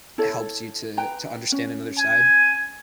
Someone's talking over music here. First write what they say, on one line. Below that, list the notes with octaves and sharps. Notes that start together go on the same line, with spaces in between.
helps you to to understand another side,
E4 A4 C#5
B4 G5 A#5
C#4
G#5